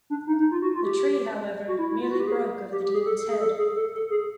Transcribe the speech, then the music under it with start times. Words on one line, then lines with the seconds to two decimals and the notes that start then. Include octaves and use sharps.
The tree, however, merely broke over the demon's head.
0.10 D4
0.27 D#4
0.39 D#4
0.51 F4
0.62 F#4
0.75 F4
0.85 G4
1.68 F#4
1.79 E4
1.90 E4
2.01 F4
2.11 F#4
2.20 G4
2.27 G#4
2.72 G4
2.84 G4
2.94 G#4
3.06 A4
3.18 A4
3.30 G#4
3.41 A4
3.58 G#4
3.75 A4
3.93 A4
4.10 G#4